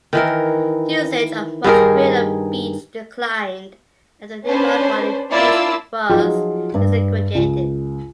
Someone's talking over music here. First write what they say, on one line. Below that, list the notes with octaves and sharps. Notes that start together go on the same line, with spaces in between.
Usage of Mosquito Beach declined after nearby Folly Beach was desegregated.
D#3 E3 A#4
G2 D#3 G#4 A#4
C#4 D4 B4 C5
A#3 D4 E4 F4 D5 E6
F3 F#3 D#4 F4 G#4
G2
C#2